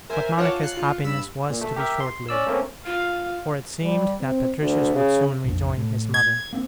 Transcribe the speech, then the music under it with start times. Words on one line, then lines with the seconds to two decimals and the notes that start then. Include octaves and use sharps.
But Monica's happiness was to be short-lived, for it seemed that Patricius would soon rejoin his mother.
0.10 A#4 C5 E5 G#5
0.38 F4 A#4 C#5 F#5 A5 D6
0.51 F4
0.63 F#6 C7 C#7
0.77 F4
1.04 G2 B5 E6
1.50 A#2
1.61 A3
1.76 G4 A#4 E5
2.00 C6
2.29 C#4 D5 E6
2.47 A3 A#3 C4 C#4
2.86 F4 F5
3.83 G3
4.20 C4
4.60 D2
4.93 C#3
5.44 A#1 F2
5.77 A2
6.14 G#6
6.53 A#3 C4